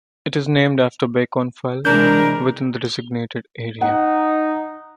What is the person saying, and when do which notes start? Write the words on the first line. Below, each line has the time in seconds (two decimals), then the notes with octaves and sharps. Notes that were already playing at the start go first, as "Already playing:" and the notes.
It is named after Beacon Fell within the designated area.
1.85 C3 E3 G#3 D4 A#4 G6
3.81 D#4 F#5